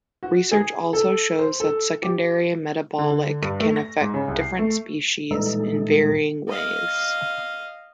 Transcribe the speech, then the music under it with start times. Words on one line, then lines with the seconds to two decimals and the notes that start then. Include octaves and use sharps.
Research also shows that secondary metabolic can affect different species in varying ways.
0.23 F#4
0.52 G#4
0.93 A4
1.39 C5
1.60 A4
2.03 G4
2.99 D3
3.11 D3
3.42 G2
3.60 A3
3.76 A#6
4.01 G#2
4.14 C#3
4.28 C2
4.41 C7
4.59 A3
5.31 A#2 E3 G3 G#3 D#4 A4
6.48 D#5 F5